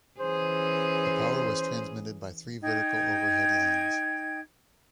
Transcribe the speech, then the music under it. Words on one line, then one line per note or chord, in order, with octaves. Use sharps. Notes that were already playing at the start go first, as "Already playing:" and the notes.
The power was transmitted by three vertical overhead lines.
E3 C#4 G#4 C5
D#4 G5 G#6